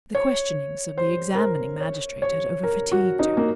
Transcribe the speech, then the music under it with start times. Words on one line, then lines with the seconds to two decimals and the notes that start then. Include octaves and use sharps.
The questionings of the examining magistrate had over-fatigued her.
0.15 C#5
0.97 C5
1.35 A#4
1.39 C5
1.81 C#5
2.22 C#5
2.63 A#4
2.92 F#4
3.19 D#4
3.37 A#3